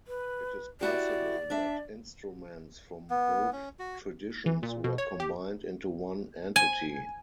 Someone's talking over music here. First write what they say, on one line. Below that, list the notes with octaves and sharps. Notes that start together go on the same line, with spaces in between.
It is possible that instruments from both traditions were combined into one entity.
B4
E4 F#4 G4 D5
D4 E5
B3
C#4
F#4
E3
A#2
B2
C#5
G4
G#5